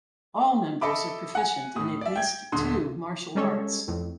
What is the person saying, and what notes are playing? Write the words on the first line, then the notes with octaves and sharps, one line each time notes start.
All members are proficient in at least two martial arts.
A4 D#5 E5 B5 D6
F#5 G#5
A2 D#6
D5 E5
G5 G#6
D#1 D3 C6 D#6
G3 G#3 C#4 A4 C#5
F2 A2